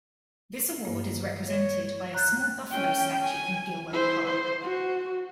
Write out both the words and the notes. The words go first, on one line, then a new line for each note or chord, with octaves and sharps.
This award is represented by a small buffalo statue in Gilwell Park.
G2 A#3
C#5
A#5 F#6 G6 A6
C#4 G5
G#5
E4 C5
C5
F#4